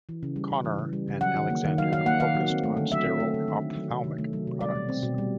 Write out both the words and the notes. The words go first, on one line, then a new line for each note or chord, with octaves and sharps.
Conner and Alexander focused on sterile ophthalmic products.
E3
C#3
G3
C#3
E3
C#3
G3
C#3
F#3 F#5
D#3
A#3
D#3
F#3 F5
D#3 F5
A#3 F#5
D#3 F5
F#3
C4
A3
D3
F#3 E5
C4
A3
D3
D#3
A3
F#3
C3
D#3
A3
F#3
C3
G3 D5
B2
C4
B2
G3